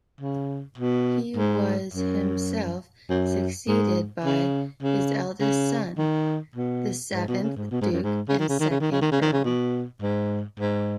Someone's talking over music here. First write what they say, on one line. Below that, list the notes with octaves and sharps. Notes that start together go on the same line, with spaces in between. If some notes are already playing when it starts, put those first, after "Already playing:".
He was himself succeeded by his eldest son, the seventh Duke and second Earl.
C#3
B2
G#2
F#2
F#2
G#2
C#3
C#3
C#3
D#3
B2
G#2
B2
C#3
G#2
B2
G#2
F#2
G#2
C#3
D#3
C#3
D#3
C#3
D#3
C#3
D#3
C#3
D#3
C#3
B2
G#2
G#2